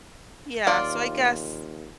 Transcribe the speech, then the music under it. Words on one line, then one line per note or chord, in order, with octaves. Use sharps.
Yeah. So, I guess,
D#2 F4 D5 F5